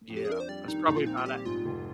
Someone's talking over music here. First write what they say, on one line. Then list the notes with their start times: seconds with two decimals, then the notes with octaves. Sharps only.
Yeah. That's probably about ac
0.10 F2
0.16 G4
0.25 G#4
0.29 D4 A#4
0.40 C5
0.48 G3 D5
0.68 D#3 D#4
0.88 A#1 D#4
0.97 F4
1.06 C4 D#4
1.17 F4
1.26 G3 G4
1.45 G#2 F4
1.65 F1